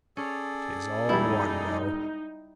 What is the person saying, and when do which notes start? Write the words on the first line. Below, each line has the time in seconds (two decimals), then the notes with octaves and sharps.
'Tis all one, though!
0.17 C#4 G#4 A4 D5
1.09 E1 G3 D#4 E4